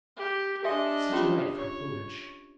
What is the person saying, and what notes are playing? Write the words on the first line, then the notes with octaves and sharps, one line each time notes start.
Such a night for plumage!'
G4
D4 G4 D#5 E5 G#5
C#4 F4 G4
C#5